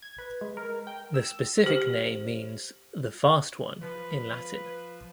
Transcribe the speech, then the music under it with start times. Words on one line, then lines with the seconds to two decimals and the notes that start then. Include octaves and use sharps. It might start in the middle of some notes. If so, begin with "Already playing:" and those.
The specific name means "the fast one" in Latin.
0.02 G#6
0.18 B4
0.41 G#3
0.57 A#4
0.87 G5
1.14 E6
1.64 G4 C5
3.81 F3 B4